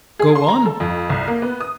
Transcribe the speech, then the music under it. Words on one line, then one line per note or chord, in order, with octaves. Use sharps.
"Go on."
G#4
C6
A#5
A4
F2
C2
A#3
B3
D#6